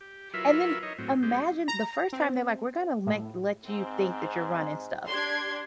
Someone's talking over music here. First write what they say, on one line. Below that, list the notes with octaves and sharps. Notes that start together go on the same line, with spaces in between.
And then imagine the first time they're, like, we're gonna make let you think that you're running stuff.
G4
F#3 E4 F4 A#4 B4 E5
D#4 C#5 D#5
A2 F#3 C4
G#3 C4 G4
A#5
C4
A2
G#2 C4
D4 G4 C6 G#6